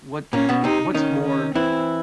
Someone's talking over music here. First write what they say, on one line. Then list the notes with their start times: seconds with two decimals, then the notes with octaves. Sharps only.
what, uh, what's more
0.33 A#2 A#3 C#4
0.49 B2 B3
0.64 C3 C4 D#4
0.95 D#3 C#4 D#4
1.25 C#4
1.55 E3 C4 E4